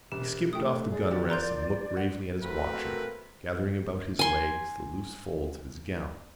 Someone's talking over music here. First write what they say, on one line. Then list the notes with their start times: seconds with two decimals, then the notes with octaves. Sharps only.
He skipped off the gunrest and looked gravely at his watcher, gathering about his legs the loose folds of his gown.
0.12 E1 G4
0.53 A3 G5 D#6
0.91 G#4 D5
1.10 D3 F3 F#4 G4
1.30 A#3 C5 A#5 C6 G6
1.97 F#5
2.41 A3 A#3 C4 F#4 A#4 B4
4.19 G#5 C6